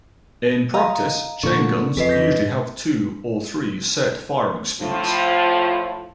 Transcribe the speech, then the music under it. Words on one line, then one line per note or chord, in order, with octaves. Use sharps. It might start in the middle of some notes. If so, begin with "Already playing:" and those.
In practice, chain guns usually have two or three set firing speeds.
D#5 F5 A#5
A#2 D3 C#6
F2 G#4 B4 D#5 B6 C7
G6 A#6 B6
A2 F3